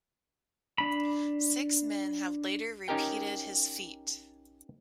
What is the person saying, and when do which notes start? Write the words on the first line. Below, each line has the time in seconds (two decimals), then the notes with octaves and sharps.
Six men have later repeated his feat.
0.78 D4 B5
2.88 C#4 D#4 G4 A#4 G5